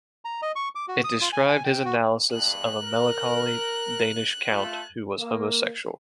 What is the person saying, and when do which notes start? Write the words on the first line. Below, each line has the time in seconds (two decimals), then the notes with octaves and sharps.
It described his analysis of a melancholy Danish count who was homosexual.
0.25 A#5
0.42 D#5
0.56 C#6
0.75 D6
0.88 F#4
1.04 D#6
1.21 F4
1.33 G#5
1.47 G#5
1.64 G5
1.85 F#4
2.31 E2 G2 G#3 F#6
2.81 A#4
4.48 A3 F4 A4
5.19 A#3